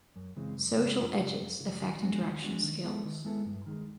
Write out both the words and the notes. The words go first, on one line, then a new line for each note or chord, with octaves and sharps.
Social Edges affect interaction skills.
F#2
C#3 E3 G#3 C4
F#2
C#3 E3 G#3 C4
F#2
C#3 F#3
F#2
C#3 F#3
D#3
G#3 B3 D4 F#4
D#3
G#3 B3 D4 F#4
D#3
G#3 B3 E4 A4
D#3
G#3 B3 E4 A4
G2
D#3 G#3